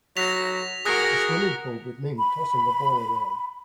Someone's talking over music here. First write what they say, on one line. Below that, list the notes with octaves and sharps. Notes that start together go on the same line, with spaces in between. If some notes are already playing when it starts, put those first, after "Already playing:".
A swimming pool with men tossing a ball around.
F#3 A#6 B6 F7
F#4 G#4 A#4 D#6 F#6 A#6
B5